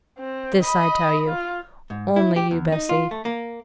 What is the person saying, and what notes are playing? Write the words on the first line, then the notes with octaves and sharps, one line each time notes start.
This I tell you--only you, Bessy.
C4
D#5 B5
F4
G#2
E4
G4
E2
D#4
F4
A3
A#3